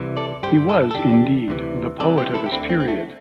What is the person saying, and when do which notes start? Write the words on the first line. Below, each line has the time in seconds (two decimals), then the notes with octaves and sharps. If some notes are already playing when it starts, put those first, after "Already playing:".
He was, indeed, the poet of his period.
Already playing: C2 C3 E3
0.17 A4 D5
0.43 G2 G4 C5
0.47 D3
0.69 E4 A4
0.91 A4
0.95 E2 D3 D4 G4
1.48 D2 C3 E3
2.00 C2 C3 E3 A4 D5
2.18 G4 C5
2.34 E4 A4
2.46 G4
2.52 D2 D3 C4 E4
2.69 C4
2.80 C4
2.88 A3